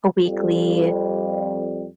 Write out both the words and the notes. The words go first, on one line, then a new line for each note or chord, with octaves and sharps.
a weekly,
F2 G3